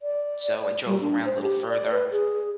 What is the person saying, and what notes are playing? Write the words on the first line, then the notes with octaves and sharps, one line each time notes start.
So, I drove around a little further,
D5
G3
D4
C5
G4
D5
B4
G#4